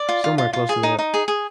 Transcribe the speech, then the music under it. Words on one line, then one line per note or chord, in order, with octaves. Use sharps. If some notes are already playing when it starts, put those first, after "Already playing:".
somewhere close to that.
Already playing: D5
F4
F4
F4
F4
G#4
D#4
D#4
G#4
G#4